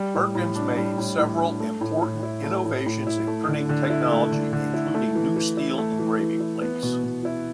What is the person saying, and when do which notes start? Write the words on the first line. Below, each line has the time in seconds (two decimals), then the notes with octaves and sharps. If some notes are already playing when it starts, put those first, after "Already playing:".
Perkins made several important innovations in printing technology, including new steel engraving plates.
Already playing: G3
0.14 A2
0.35 A2
0.56 D4
0.77 G3
0.98 A2
1.18 A2
1.39 D4
1.60 A3
1.81 A2
2.02 A2
2.23 E4
2.44 A3
2.65 A2
2.86 A2
3.07 E4
3.27 A3
3.48 D3
3.69 D3
3.90 E4
4.11 A3
4.32 D3
4.53 D3
4.74 E4
4.94 A3
5.15 E3
5.36 E3
5.57 E4
5.78 A3
5.99 E3
6.20 E3
6.40 E4
6.62 B3
6.83 B2
7.04 B2
7.25 E4